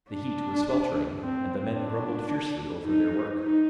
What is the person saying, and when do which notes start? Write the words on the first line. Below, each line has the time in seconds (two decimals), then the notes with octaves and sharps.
The heat was sweltering, and the men grumbled fiercely over their work.
0.10 D4
1.20 C4
1.75 D4
2.85 D#4
3.40 D#4